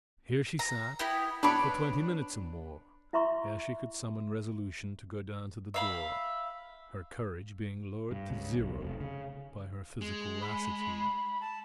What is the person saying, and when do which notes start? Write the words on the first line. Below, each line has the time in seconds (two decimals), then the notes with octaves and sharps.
Here she sat for twenty minutes or more ere she could summon resolution to go down to the door, her courage being lowered to zero by her physical lassitude.
0.59 A#5
0.99 B3 E4 G4
1.43 D4 B4 C#5 D5 B5
3.13 E4 E5 A#5 C6 C#6
5.74 E5 F5 B5
8.11 G2
8.30 C#2
8.59 B1
8.80 F1
9.01 C#3
10.01 G#3
10.42 B5
11.41 A5